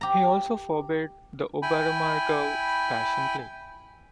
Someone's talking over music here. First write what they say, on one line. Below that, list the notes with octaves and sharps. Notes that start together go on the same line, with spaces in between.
He also forbade the Oberammergau Passion Play.
G4 A#5
E4 G5 G#5 B5